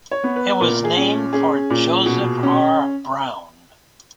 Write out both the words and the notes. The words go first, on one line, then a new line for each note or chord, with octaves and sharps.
It was named for Joseph R. Brown.
C#5
B3
B4
A#2 A#4
G#4
C#4
C#4 G#4
A#2
B2
C#4